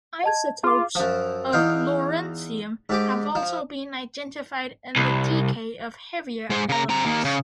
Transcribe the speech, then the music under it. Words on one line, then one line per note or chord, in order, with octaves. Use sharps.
Isotopes of lawrencium have also been identified in the decay of heavier elements.
D#5 A5 G#6
F4 G#4 D6
F#2 F3
E2 D#4 F5 G5
G#2 G4 D6
F3
C2
G#3 C5
C#3 A#5
C4 A#5
D#2 A#3
C#3